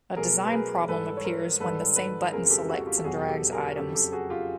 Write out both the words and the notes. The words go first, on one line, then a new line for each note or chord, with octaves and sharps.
A design problem appears when the same button selects and drags items.
B2 F#3 A3 G#4 A#4
B4
G#4 A#4
G#2 E3 G3 A4 B4
C#5
A#4 C5
G#2 D#3 G3 A4 B4
A4 B4
F2 C#3 F3 G#3 G#4 A#4
G4 A4
F#4 G#4
F#4
F4 G4
A4
E2 B2 F#3 F#4 G#4
G4 A4
G#4 A#4
F2 C#3 F#3 G4 A4
G4 A4
F#4 G#4
F4 G4